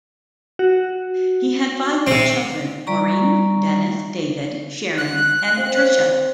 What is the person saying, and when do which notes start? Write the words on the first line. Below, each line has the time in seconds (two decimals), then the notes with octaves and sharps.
He had five more children, Maureen, Dennis, David, Sharon and Patricia.
0.59 F#4
2.07 C3 C4
2.87 G3 D5 A#5 C#6
4.98 F#6
5.56 C4 F5